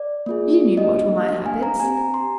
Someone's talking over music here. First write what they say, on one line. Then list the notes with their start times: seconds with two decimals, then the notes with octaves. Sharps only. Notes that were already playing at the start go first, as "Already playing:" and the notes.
You knew what were my habits.
Already playing: D5
0.26 A#3 F4 G#4
0.77 A#3 D4 G4 D#5
1.29 A#3 D4 G4 F5
1.46 G#5
1.63 A#5
1.80 C4 G4 G#5
1.97 A#5
2.14 C6